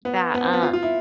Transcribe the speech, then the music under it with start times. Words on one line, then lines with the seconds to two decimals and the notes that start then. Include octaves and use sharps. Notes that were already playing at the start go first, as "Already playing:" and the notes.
that, um
0.05 B3
0.34 B3
0.43 C4
0.53 B3
0.63 F4
0.73 F4
0.83 E4